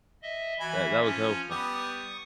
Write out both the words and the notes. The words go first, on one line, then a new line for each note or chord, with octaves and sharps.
That that was helpful.
D#5 E5
E3 F#4 E5 G#5 B5
F3 C#4
G3 B3 G4 C#6 D#6